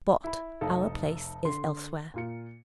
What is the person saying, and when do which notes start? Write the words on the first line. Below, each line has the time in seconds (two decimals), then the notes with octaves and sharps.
But our place is elsewhere.'
0.24 E4 B5
0.61 F1 D#4 A4 F5
1.45 D3 C6
2.14 A#2 F4 C#7